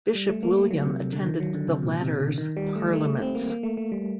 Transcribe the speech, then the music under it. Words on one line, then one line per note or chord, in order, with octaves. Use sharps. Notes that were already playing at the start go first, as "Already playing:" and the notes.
Bishop William attended the latter's parliaments.
G3
A3
A#3
A3
F#3
C3
D3
D#3
F#3
D3
C3
A#2
C3
D3
D#3
G3
A3
A3
C4
A#3
A#3
A3
A3
G3